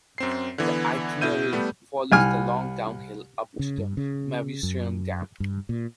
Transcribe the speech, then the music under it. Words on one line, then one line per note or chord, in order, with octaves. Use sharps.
The itinerary follows the long downhill up to the Mauvoisin.dam.
F#2 C4 C7
D3 E3 B3
B2 E4 G6 D#7
G3 A3 B3
C2 G#5 F6
C#3
G2
C#3
F#2
G2
A#2